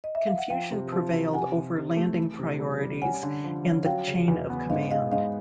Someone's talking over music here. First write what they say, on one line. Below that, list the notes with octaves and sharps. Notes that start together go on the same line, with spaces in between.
Confusion prevailed over landing priorities and the chain of command.
D#5
E5
F5
F#5
F3 F5 G5
C3
F3
C3
C3 F#5 G#5
C3
C3
A3
E3
C3
G3
G3
C#4 F#5 G#5
D3
F3
C#4
F#3 F5 G5
C#3
E2
B3
G#2 D#5 F5
G#3 D#5 F5
G#2 D#5 F5